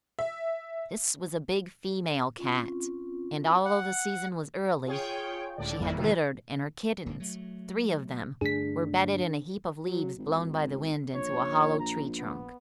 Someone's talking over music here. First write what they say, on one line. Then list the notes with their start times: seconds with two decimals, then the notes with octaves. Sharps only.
This was a big female cat, and, although the season was early, she had littered and her kittens, three of them, were bedded in a heap of leaves blown by the wind into a hollow tree trunk.
0.19 E5
2.38 C4 C#4 F4
3.65 F#5
4.86 F4 G#4 C#5 G5
5.57 C#2 A2 D3 D5
5.79 G#1 F2 E3 G3 A#3 E4
5.97 C3 D#3 E3 F#3 A3
7.06 D1 D3 A#3
7.20 F#3 A3
8.41 G2 D3 A3 D4 G#4 B6
9.88 F#3
10.18 G#1
11.14 A#1 C#5
11.80 A#5
12.18 B3